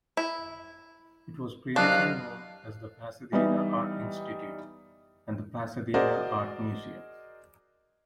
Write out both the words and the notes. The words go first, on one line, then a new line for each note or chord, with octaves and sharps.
It was previously known as the Pasadena Art Institute and the Pasadena Art Museum.
E4
C2 F#3 D4 D#5 F5 F#6
E3 G3 B3 D#4
F#4 G#4 A#4 C5 D5 D#5